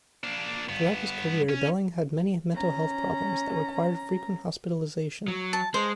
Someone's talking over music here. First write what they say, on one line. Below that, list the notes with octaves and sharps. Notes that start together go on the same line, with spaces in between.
Throughout his career Belling had many mental health problems that required frequent hospitalisation.
A#3 D4
G2 B3
C#4
C#4 A#5
F#3
A5
G#3 C5